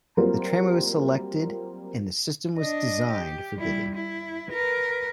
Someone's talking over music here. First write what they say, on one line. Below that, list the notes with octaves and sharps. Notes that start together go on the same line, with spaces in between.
The tramway was selected and the system was designed for bidding.
F#3 G3 A#3 C4 F4 A#4
D4 D#5
G4
G3 E4
E4
A#4 B4